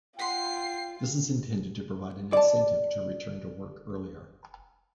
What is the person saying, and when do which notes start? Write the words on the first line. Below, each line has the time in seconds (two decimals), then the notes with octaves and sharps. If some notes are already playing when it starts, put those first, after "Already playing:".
This is intended to provide an incentive to return to work earlier.
0.19 F4 F#5 G5 C6 C7
2.33 D5 A5